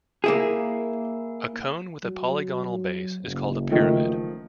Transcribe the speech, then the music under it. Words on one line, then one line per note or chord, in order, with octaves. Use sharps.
A cone with a polygonal base is called a pyramid.
A#3 E4 G#4
F#3
F#1
D#3 F3 A3